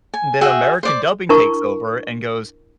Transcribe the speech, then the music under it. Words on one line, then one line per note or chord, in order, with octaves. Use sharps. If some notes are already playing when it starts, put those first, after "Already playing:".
Then American dubbing takes over and goes,
G#5
F#4 G#4 E5 G5
C5 D5 D6
D4 E4 A#4 A5 C#6